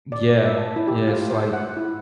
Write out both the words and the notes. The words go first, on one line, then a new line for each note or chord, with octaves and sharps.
Yeah, yeah, it's like
D5
E5
A5
E4
G4
F4
C5
F#5
E4